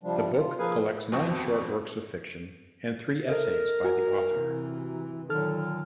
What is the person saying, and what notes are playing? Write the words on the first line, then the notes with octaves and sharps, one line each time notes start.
The book collects nine short works of fiction and three essays by the author.
C3 F3 G3 D4
F4
F3 A#3 G#4 B4 F5 G#5
D#1 F2 B2 C4 C#6
A4 A#4 D#5
F#4 G#5 A#5
C3 E3
A#2 D3 D#3 F#3 A4 A5 F6